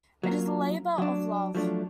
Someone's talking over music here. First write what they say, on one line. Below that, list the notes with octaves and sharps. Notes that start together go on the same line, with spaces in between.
It is a labor of love.
F#3 A#3 F4 A#4
F#3 D4
F3 F#3 A3 D4